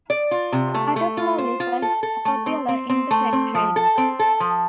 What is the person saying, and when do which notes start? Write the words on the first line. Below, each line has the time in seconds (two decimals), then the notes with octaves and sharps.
Butterfly lizards are popular in the pet trade.
0.10 D5
0.31 F4
0.52 C3
0.74 A3
0.96 A3
1.17 F4
1.38 C5
1.60 F4
1.82 A4
2.03 A4
2.25 A3
2.46 C4
2.69 C4
2.90 C4
3.11 A3
3.33 C4
3.55 F3
3.76 A4
3.98 C4
4.19 A4
4.40 F3